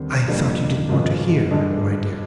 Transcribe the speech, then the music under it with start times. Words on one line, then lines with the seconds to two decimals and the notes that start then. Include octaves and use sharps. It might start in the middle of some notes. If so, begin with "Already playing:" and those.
'I thought you didn't want to hear, my dear.
Already playing: D#2 D3 G3 C4
0.28 F2 D3 G3 A#3 D4
0.89 G#1 G2 F3 G#3
1.51 G2 D3 G#3 D4